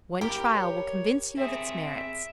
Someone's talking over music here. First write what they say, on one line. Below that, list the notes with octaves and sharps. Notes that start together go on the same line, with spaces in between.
One trial will convince you of its merits.
G4 A#4 B5
C#5
C4 G#4 E5